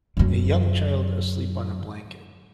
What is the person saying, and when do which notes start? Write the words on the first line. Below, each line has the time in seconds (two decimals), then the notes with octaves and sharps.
A young child asleep on a blanket.
0.17 F#2 D3